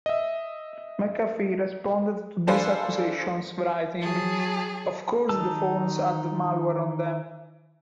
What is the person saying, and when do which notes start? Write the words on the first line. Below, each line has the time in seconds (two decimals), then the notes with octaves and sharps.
McAfee responded to these accusations, writing, Of course the phones had malware on them.
0.06 D#5 E5
2.47 D4 A4 C5 F5 G#5 B5
4.02 F#3 G#4 A5
5.29 D#3 D#4 A5 E6